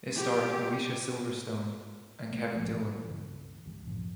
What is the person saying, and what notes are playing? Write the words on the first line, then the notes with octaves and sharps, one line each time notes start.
It starred Alicia Silverstone and Kevin Dillon.
G4
C3 G#3 A3 B3
B1 G#2 F3 A3
A#2 E3
C#2 G2 C#3 E3
C#2 E3
F#2 A2 C3 F3